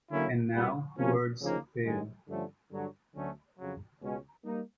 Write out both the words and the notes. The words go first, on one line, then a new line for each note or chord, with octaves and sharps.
And now words fail.
D3 F#3 A#3 C#4 E4
C2 A#2 G3 B3
C3 F3 A#3 C#4
D2 C#3 F3 A#3 D#4
G2 D#3 G#3
G2 D3 F3 A3 C#4
G2 D3 F#3
D2 D3 F#3 A3 C#4
F2 C#3 F#3
C#2 B2 G#3 C#4
G3 A#3 D#4